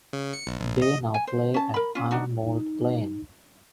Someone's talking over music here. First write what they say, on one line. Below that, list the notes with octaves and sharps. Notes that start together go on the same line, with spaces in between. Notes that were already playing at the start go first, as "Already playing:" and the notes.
They now play at Ironmould Lane.
C#3
C#7
B1
A#1
D#5
G#5
C5
C#4 A5
A#4 B5
C#4 F4
D4 D#4 F#4
D#4